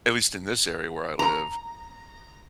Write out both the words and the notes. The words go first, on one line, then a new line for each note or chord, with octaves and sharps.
at least in this area where I live
A#5